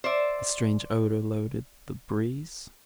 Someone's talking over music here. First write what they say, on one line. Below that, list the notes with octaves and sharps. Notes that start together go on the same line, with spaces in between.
A strange odor loaded the breeze.
C5 D5 E5